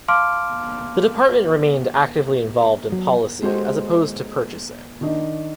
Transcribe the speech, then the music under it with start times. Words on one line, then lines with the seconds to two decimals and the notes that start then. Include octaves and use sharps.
The department remained actively involved in policy as opposed to purchasing.
0.08 F5 A5 C6 D6 F6 D7
2.92 F#3
3.43 G#3 F#4 G4 A4 C5
5.01 D#3 D4 D#4